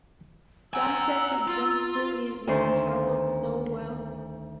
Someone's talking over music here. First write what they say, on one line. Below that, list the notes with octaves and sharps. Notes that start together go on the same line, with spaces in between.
Sam said he jumped brilliantly and travelled so well.
F#5 G#5 A#5 E6
F4
D2 D#3 C#4 A4 C5 C6